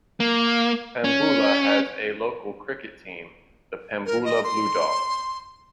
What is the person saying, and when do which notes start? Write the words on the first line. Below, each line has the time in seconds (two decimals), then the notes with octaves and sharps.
Pambula has a local cricket team, the Pambula Bluedogs.
0.20 A#3
1.04 C#4
4.06 A#4
4.25 D#5
4.44 C6